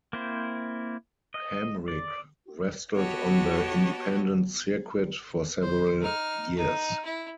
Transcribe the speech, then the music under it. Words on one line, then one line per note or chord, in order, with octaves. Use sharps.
Hamrick wrestled on the independent circuit for several years.
A#3 C4 E4 C5
D#5
D5
B3 F#4 G4 C#5 D#5 A5
C5
D#4 F6
D#4
E4